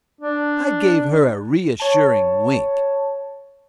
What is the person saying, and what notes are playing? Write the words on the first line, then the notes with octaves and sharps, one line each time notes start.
I gave her a reassuring wink.
D4
C#5 A5